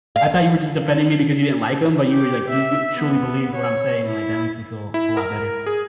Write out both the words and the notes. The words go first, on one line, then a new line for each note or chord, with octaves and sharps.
I thought you were just defending me because you didn't like him, but you were like you truly believe what I'm saying, and, like, that makes me feel a lot better."
F5
G4
E5
B3
C#5
E4
E4
A#4
G#4